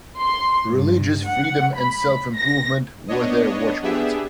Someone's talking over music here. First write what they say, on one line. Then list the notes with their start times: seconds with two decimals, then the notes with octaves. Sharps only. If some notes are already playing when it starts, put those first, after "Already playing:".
Religious freedom and self-improvement were their watchwords.
0.19 C6
0.71 G2
1.26 F#5
1.75 B5
2.36 A#6
3.08 B3 D4 C#5 D#5
3.82 B3 D4 G4 G#4 E5